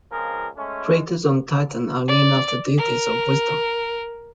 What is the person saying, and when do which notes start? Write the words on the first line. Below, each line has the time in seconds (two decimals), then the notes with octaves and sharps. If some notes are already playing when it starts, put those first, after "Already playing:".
Craters on Titan are named after deities of wisdom.
0.11 C#2 F3 C4 G#4 A#4
0.56 G#3 A3 C#4
2.08 D5
2.78 A#4